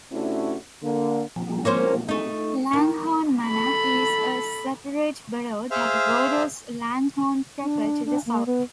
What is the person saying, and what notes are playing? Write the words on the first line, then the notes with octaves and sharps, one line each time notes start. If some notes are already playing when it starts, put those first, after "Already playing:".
Langhorne Manor is a separate borough that borders Langhorne proper to the south.
C3 A3 C#4 D4 E4 F#4
D3 A#3
A#3 C#4 C5
A3 D#4
D#3
A4 B5
G#4 C5 E5 F5 F6
D4
D4
A#3
B3